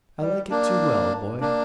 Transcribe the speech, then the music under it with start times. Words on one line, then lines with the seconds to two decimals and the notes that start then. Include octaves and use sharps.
"I like it too well, boy."
0.20 G3
0.50 A#3 D4
1.41 A#3 D4